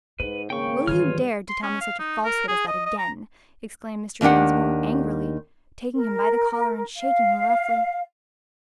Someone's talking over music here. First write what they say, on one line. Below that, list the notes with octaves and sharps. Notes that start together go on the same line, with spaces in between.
"Will you dare to tell me such a falsehood as that again?" exclaimed Mr. Dinsmore, angrily, taking him by the collar and shaking him roughly.
G#2 D#4 B4
G#1 C#3 A#3 G5 C#6
G#2 D#3 E3 G3 F4 B4 C#5 F6
C6
C#4
F5
D#4
A#4
G#4
D#5
D#5
A#5
D#2 D#3 D4 G4 F#5
A#4
F5